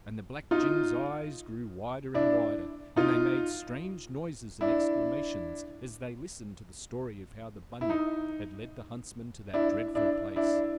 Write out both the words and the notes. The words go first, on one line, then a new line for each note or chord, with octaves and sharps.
And the Black gins' eyes grew wider and wider, and they made strange noises and exclamations, as they listened to the story of how the "Bunyip" had led the huntsmen to that dreadful place.
D#4 F4
D4 E4
D#4 F4
D4 E4
E4
D#4
D4 E4
D4 E4
D4 E4